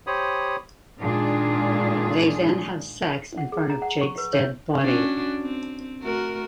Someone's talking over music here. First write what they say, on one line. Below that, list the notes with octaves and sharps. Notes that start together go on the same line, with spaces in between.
They then have sex in front of Jake's dead body.
G4 C5 C#5 B5 D#6
A#2 D#3 G#3 D4 F4 G#4
F#5
G#4
A#5
F#5
C#6
B4
C#5
C#4 D4 F#4
C4
A3 F#4 A#4